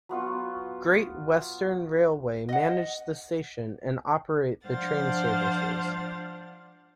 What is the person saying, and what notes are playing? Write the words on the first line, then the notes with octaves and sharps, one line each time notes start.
Great Western Railway manage the station and operate the train services.
F#3 B3 F4 C#6
D#5 F#5
F3 D4 C5 F5 F#5 A6